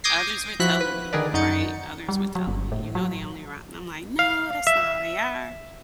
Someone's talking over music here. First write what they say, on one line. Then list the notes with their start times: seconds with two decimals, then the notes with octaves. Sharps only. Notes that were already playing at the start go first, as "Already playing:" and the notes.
Others were telling me, th right? Others were telling me, "You know they only rot" And I'm like, "No, that's not how they are."
0.04 D6 D#6 G6 G#6 A#6 C7
0.60 F3 E4 F#4 F#6 B6
0.81 B4
1.13 D3 D#3 G#4 A#4 B4 D5
1.34 F#2 D#4 F#4 G6 A6 C#7
2.08 G3
2.35 F#3
2.47 G1
2.72 A2
2.95 F#3
4.19 F5
4.67 E5